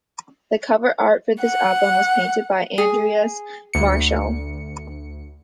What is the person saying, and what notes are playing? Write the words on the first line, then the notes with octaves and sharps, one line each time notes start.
The cover art for this album was painted by Andreas Marschall.
F#5
G#4
D2 C#7